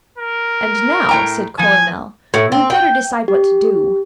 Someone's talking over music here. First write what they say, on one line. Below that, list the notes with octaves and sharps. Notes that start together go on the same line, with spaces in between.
"And now," said Coronel, "we'd better decide what to do."
A#4
A2 G5 A#5
A2 F3 G#5
A2
C4
G5
G4